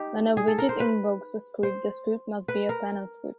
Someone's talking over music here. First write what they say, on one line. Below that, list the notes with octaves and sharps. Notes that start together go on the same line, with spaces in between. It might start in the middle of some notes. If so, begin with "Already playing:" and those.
When a widget invokes a script, the script must be a panel script.
Already playing: D#4 G4
G#4
A4
A#4
C5
B4
C5
B4
A#4